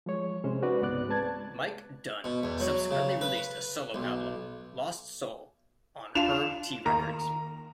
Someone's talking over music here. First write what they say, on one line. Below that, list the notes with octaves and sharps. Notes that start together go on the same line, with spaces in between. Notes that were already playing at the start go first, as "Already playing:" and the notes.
Mike Dunne subsequently released a solo album, "Lost Soul", on Herb Tea Records.
F3 G#3 C#5
C3 G#3 C#4 C5
D#4 F#4 B4 D5
C#2 G#2 B3 D5 F#6
G#3 C4 B4 A5 G#6 A6
B2
E2
F#3
C#3
B4
B1
D4 F4 F5 E7 F7
D#3 A#3 A#5